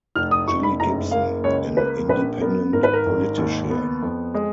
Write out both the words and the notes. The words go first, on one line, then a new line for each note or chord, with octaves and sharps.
Jilly Gibson, an independent politician.
F1 F6
D#6
F1 C#6
B5
F#1 A#5
A#3 F5
C#2 C#5
A#3 B4
A#1 B4
B3 A#4
G#1 A#4
B4
A#4
G#1
D#2
B3
F2
G#3